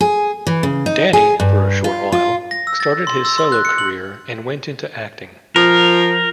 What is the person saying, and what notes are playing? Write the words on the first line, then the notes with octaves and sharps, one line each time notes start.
Danny, for a short while, started his solo career and went into acting.
G#4
E3
C#3
D#4
G#4
G2
F4
F4
A#6
E6
A6
C6
E6
C6
F#6
C#7
F#7
F3 A#4